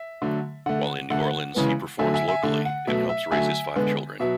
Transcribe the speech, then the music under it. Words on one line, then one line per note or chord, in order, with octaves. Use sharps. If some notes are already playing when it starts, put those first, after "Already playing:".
While in New Orleans he performs locally and helps raise his five children.
Already playing: E5
D3 F#3 A3
D3 A3 F#5
D3 A3 F#5
C#3 E3 G#3 B3
D3 F#3 A3 E5 G#5
E5 G#5
E5 G#5
D3 A3
F#5
B2 F#3 A3 E5
E5
D3 F#3 A3 E5 G#5
D3 G#3 B3
B2 F#3 E5